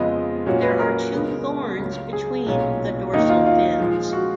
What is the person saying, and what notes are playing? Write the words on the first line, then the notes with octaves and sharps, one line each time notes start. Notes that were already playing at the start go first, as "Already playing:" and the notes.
There are two thorns between the dorsal fins.
Already playing: F2 C#3 G#3 B3 F4 D#5
A#2 F#3 C#4 F#4
B4
A#4
C#2 C#3 G#3 B3
C#2 C#3 F#3
G#4
B1 A#2 F#3 C#4 F4
D#2 D#3 A#3 D#4
F4
F4
A#2 F3 G#3
F#4